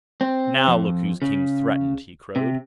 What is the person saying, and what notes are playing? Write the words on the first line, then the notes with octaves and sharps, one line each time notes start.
"Now look whose king's threatened!" he crowed.
C4
F2
C#3
C3